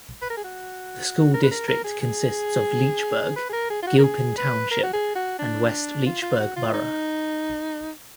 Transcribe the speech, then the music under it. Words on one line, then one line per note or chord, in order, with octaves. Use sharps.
The school district consists of Leechburg, Gilpin Township and West Leechburg Borough.
B4
A#4
G#4
F#4
A#4
B4
A#4
A#4
G#4
G#4
B4
G#4
A#4
G#4
F4
F#4
A#4
G#4
B4
A#4
F#4
G#4
F#4
D4
F4
F4
F#4
F4
D#4